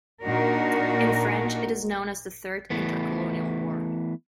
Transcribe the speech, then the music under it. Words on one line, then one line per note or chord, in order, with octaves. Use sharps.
In French, it is known as the Third Intercolonial War.
A#2 D4 D#4 F#4 A#4
E3 A3 B3